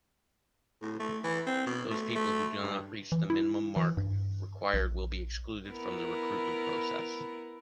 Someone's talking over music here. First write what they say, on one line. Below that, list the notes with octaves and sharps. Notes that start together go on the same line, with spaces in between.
Those people who do not reach the minimum mark required will be excluded from the recruitment process.
A2
A3
E3
C4
B2
A3
A3
G2
E3
E4
E3
G2
A#1
B3 E4 A#4